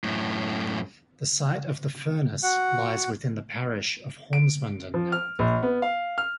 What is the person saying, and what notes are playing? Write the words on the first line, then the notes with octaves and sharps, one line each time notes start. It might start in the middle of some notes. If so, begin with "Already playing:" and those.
The site of the furnace lies within the parish of Horsmonden now.
F#2 A2
F#4 F#5
D7
F3
F6
A#1
B3
F5
F6